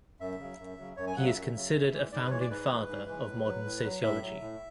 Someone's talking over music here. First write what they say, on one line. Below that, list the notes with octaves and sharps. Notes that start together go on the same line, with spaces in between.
He is considered a founding father of modern sociology.
F#2 E5
C#3 F#3
F#2
C#3 F#3
F#2 C#5
G#5
C#3 F#3 F#5
E5
F#2
C#3 F#3
G#2
E3 G#3
G#2 D5
B4
E3 G#3 C#5
D5
G#2 B4
E3 G#3
G#2
E3 G#3
A2
F#3
A2
F#3
A2 E5
F#3
A2